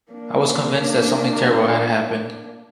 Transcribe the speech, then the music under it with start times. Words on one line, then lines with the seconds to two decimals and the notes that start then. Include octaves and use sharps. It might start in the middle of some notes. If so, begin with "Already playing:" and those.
I was convinced that something terrible had happened.
0.12 A#3 D4